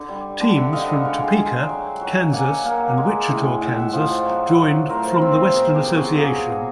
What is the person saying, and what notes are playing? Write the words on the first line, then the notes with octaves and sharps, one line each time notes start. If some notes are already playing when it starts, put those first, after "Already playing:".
Teams from Topeka, Kansas, and Wichita, Kansas, joined from the Western Association.
Already playing: D3
G3
D3 G5 A5
E5 F#5
D3 D#5 F5
E5 F#5
G#3 G5
G#5
F5 G5
G#3
F#3
F#3
A#3 F#5 G#5
A#3
G#3
A2
A2 E5 F#5
F3
F#3
F#3
A3 A#4 C5
C4
B2 G#4 A#4
G4 A4
F#3
F#4 G#4
A#3 F#4 G#4
B2